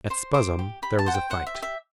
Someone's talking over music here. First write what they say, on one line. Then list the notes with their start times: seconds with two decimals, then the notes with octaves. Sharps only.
At Spuzzum there was a fight.
0.10 C5 C6
0.34 C5 D6
0.59 G4
0.82 G4 B5
0.99 A5
1.06 C5 F#5
1.14 G5
1.30 C5 F#5
1.46 E5
1.54 G4
1.62 E5